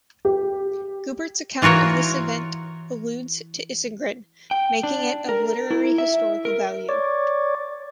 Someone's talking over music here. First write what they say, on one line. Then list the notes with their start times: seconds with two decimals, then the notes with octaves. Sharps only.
Guibert's account of this event alludes to Isengrin, making it of literary-historical value.
0.25 G4
1.62 E3 F4 F#4 A#4 C#5
4.51 G5
4.83 D4
5.29 A#4
5.70 E4
5.98 E5
6.45 A#4
6.89 C#5 D5